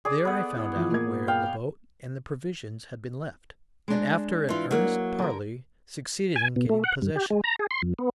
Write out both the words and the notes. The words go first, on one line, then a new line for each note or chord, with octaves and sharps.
There I found out where the boat and the provisions had been left, and after an earnest parley succeeded in getting possession.
G#4 D5 D#6
B3 A4 F#5
E4
E3 F3
A#2 A#3 G#6
F5 G5
G#3 D4
E3 F4
F#3 A#3
D3 A#4
G#5
B2
A3
F#5
G2
G4
G#3
A#5
G#4
C6
F2
B3